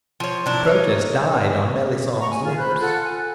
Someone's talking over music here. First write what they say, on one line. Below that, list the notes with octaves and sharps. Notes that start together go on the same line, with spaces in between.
The protest died on Melisande's lips.
F3 C#5
F#3 D4 E4
D#4 A#4 C#5
F#5 A#5 C#6
G#5
F4 G#4
C5 B5 F#6 G6
F4 A4 F#5 F#6
G#5